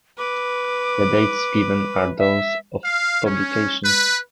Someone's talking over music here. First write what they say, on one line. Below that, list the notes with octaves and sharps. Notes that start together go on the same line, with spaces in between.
The dates given are those of publication.
B4 D6
E5
F5
C#4
B4